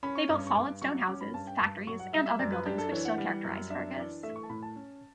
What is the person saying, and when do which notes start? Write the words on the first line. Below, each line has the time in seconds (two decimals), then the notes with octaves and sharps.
They built solid stone houses, factories and other buildings which still characterize Fergus.
0.03 C#4 B5
0.15 C#6
0.29 G2 D6
0.47 C#6
0.55 G2 D6
0.82 F#3 C#6
1.08 C#4 D6
1.21 B5
1.34 G2 A5
1.47 G5
1.60 G2 A5
1.87 F#3 C#6
1.99 F#5
2.13 G3 E5
2.26 E5
2.39 F#2 D5
2.52 B4
2.66 D4 G4
2.78 A4
2.92 E3 C#5
3.05 F#5
3.18 G3
3.44 F#2
3.70 D4 E5
3.96 E3 D5
4.23 A3 E5
4.36 C#6
4.43 A5
4.50 A2 B5
4.62 A5
4.76 C#4